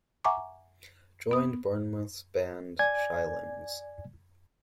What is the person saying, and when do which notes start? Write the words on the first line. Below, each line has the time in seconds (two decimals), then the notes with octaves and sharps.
Joined Bournemouth's band Shy Limbs.
0.24 E5 F#5 G#5 A#5 C#6 D6
1.31 B3 D#6
2.79 D5 G#5 G#6